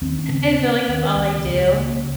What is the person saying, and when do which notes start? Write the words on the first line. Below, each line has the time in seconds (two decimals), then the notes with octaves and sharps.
I feel like that's all I do.
0.01 D#2 C4
0.19 C#4
0.29 C#3 C4
0.59 C#3
0.88 D#2
1.16 C#2
1.45 C#2
1.73 C#3 A#3